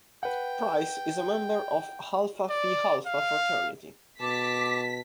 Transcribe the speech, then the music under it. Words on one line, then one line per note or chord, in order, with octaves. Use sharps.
Price is a member of Alpha Phi Alpha fraternity.
B4 F#5 G5
D5
F5
B2 A5 D6 B6